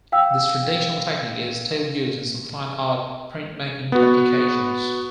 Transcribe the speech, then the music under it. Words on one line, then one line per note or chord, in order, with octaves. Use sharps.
This traditional technique is still used in some fine art printmaking applications.
F5 G5 E6
B3 F#4